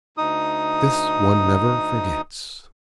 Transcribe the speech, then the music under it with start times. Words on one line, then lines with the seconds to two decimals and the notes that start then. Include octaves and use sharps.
"This one never forgets!"
0.18 D2 D#4 D#6